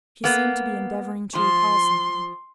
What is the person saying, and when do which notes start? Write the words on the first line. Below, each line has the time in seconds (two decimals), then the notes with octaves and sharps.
She seemed to be endeavoring to recall something.
0.24 A#3 B3
1.35 F3 C6